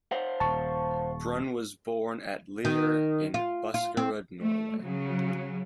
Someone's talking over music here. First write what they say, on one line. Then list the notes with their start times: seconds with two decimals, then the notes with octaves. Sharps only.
Brun was born at Lier in Buskerud, Norway.
0.11 C5 F5 F#5
0.40 D#1 A5 C#6
2.65 D#3
3.34 F4
3.74 F4
3.97 C4
4.40 A3
4.82 C#3 F#3